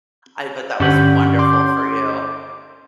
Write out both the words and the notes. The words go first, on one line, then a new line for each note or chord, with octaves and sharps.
I bet that was wonderful for you.
G2 D3 C#4 G4 F#5
C6 D6 G6